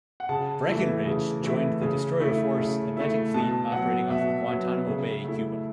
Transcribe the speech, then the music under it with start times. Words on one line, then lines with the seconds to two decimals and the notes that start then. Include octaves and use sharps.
"Breckinridge" joined the Destroyer Force, Atlantic Fleet operating off Guantanamo Bay, Cuba.
0.20 F#5
0.29 C#3 A5
0.67 E3 A3 E4
1.06 C#3
1.44 E3 A3 E4
1.81 C#3
2.20 A3 E4
2.57 C#3
2.97 A3 E4
3.34 B2 A5
3.72 F#3 B3 F#5
4.10 B2 E5
4.48 F#3 B3
4.87 C#3
5.25 A3 E4